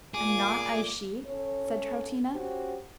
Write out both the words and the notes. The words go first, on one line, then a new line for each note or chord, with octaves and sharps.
"Am not I she?" said Troutina.
A#2 G#4 D6
C#4 A4 C#5
C#4 F#4 G4 C5